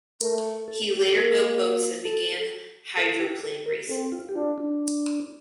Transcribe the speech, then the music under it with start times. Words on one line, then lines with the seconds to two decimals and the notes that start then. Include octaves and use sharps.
He later built boats and began hydroplane racing.
0.21 A3 A#4
0.68 A4
0.97 G4
1.06 A4
1.14 A#3 A#4
2.05 A4
2.97 A4
3.20 G4
3.43 A4
3.66 A#4
3.89 C4 A4
4.12 F4
4.29 G4
4.35 D4 F4
4.58 D4